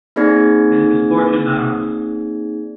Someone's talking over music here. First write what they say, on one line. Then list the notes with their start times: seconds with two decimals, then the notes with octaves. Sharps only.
His misfortune, not ours.
0.16 A#3 C4 D#4 G#4 D5 G#6